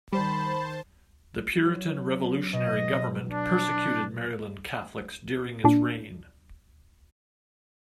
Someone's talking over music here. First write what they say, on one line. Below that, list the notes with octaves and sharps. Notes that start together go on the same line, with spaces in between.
The Puritan revolutionary government persecuted Maryland Catholics during its reign.
D#3 G3 C5 A5 B5
F#3
B2 D#5
D4
A#2 D4